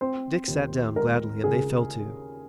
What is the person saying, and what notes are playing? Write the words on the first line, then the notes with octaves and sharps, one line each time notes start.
Dick sat down gladly, and they fell to.
C4 C5
D#2
G#3 A#4
C#3 G#4